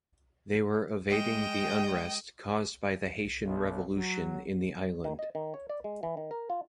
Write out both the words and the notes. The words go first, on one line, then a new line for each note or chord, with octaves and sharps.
They were evading the unrest caused by the Haitian Revolution in the island.
G#3 D#5 G5
B1
F#3
D#3
D#5
D#3
C#5
D5
G#3
E3
D#3
A#4
F4